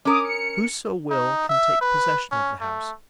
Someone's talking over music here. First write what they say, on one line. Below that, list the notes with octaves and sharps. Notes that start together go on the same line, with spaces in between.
Whoso will can take possession of the house.
C#4 A#4 D6 D#6
C#7
D#4
E5
B4
C#4
A3